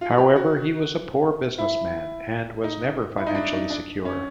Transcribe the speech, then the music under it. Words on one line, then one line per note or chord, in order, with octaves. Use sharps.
However, he was a poor businessman and was never financially secure.
F4
F#4
G4
F#4
E4
D#4
E4
D#4
D4
D#4
D4
C#4